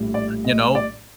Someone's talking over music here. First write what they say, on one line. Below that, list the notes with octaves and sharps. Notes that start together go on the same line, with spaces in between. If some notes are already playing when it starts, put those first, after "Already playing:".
you know,
Already playing: A#1 A2 G3
D5
D#5
D5